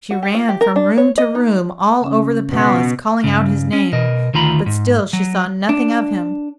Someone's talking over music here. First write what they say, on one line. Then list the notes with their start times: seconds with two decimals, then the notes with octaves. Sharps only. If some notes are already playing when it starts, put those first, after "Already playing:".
She ran from room to room all over the palace, calling out his name, but still she saw nothing of him.
0.11 F#4
0.23 G4
0.35 F4
0.49 G4
0.61 A#4
0.76 D4
0.98 C#5
1.18 D#5
1.35 D#4
2.01 C#3 C#4
2.51 B2
3.24 G2 C#3
3.73 C#4
3.93 B2 A#4 D#5
4.34 D2 D#3 F4 A#5 B5
4.66 G#2
5.13 F#3
5.69 D4